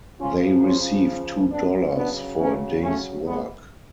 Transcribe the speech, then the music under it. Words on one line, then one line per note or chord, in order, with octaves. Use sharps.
They received two dollars for a day's work.
C#3 F3 C#4 F4
C#4 F4
B3 D4
C#3 F#3 B3 D4
A3 C#4
A3 C#4
G#3 B3